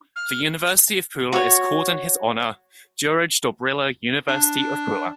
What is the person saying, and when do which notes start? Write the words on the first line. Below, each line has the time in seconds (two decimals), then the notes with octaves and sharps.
The University of Pula is called in his honour Juraj Dobrila University of Pula.
0.16 F6
1.32 F#4 C#5
4.28 D4